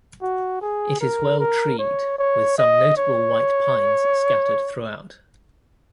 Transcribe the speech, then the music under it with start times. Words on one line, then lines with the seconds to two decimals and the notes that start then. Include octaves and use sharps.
It is well treed, with some notable white pines scattered throughout.
0.22 F#4
0.61 G#4
1.01 A#4
1.40 A#4
1.79 C#5
2.18 C#5
2.58 D#5
2.97 C#5